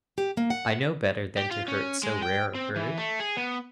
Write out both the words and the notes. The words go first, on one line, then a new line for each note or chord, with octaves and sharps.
I know better than to hurt so rare a bird.
G4
A#3
F#5
G4
F4
C#4
G#3
G5
C4
E3
A3
G#4
B3